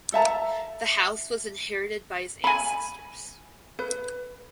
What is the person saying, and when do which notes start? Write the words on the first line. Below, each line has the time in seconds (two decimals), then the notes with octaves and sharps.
The house was inherited by his ancestors.
0.12 A4 E5 A5 A#5
2.44 G#5 B5
3.79 B4